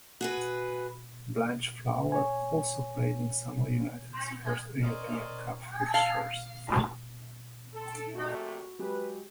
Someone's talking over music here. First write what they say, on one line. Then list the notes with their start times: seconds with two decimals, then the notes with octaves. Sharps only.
Blanchflower also played in some of United's first European Cup fixtures.
0.21 F#4 G#4 B4
2.12 C#5 G#5
4.83 C#4 A#4 C5 D5 D#5
5.94 F5
7.73 A4
8.15 A#1 C3 A3 F#4
8.79 F#3 G#3 G4 B4